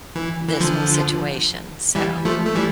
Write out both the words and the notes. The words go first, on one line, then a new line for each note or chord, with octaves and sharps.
this whole situation, so
E3
E3
D3 F3
E3 G3
F3 A3
A3
E3 G3